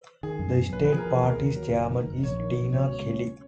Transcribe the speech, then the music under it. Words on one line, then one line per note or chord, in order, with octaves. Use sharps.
The state party's chairman is Tina Kelly.
D#3 G#4
F#2
B3
A#1 B4
B4
F3 G#4
A#4
F3 G#4
D#2 A#4
D#2
F#3
F#1
D#3
F#1
A#1 C#5
D#3
A#1
B2 C#5
C#2
C#4